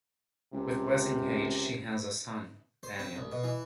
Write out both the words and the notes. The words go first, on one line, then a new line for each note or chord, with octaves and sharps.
With Wessinghage she has a son Daniel.
C#2 C3
C5
C4
C2
B2
E3